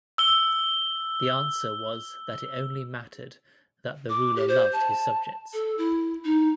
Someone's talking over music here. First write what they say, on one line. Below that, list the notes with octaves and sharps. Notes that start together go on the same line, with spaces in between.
The answer was that it only mattered that the ruler loved his subjects.
E6 G7
D6
G4
C5
A5
A4
E4
D#4